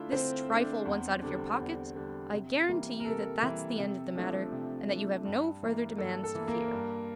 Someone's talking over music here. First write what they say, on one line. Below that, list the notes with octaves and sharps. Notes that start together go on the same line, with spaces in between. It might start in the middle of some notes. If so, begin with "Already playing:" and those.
This trifle once out of your pocket, I guarantee you that that's the end of the matter, and that you have no further demands to fear.
Already playing: D3 A3 D4 E4 F4 E5
D3 C4 C5
A3 D4
E2
D3 G3 D4
E2
D3 G3 D4
C3
E3 G3 A#3
A#4
C3 A4
E3 G3 A#3
C3
F3 A3 D4
C3
F3 A3 D4
G2
E3 A#3
G2 A4
A4
E3 A#3
A#3 A#4
G2